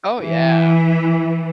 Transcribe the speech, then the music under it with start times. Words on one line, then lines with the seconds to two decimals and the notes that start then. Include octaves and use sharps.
Oh, yeah.
0.22 E3